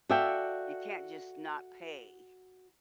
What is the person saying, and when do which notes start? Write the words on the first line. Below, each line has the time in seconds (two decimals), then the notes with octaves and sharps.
You can't just not pay,
0.09 F#4 A4 D5 E5 F5 G5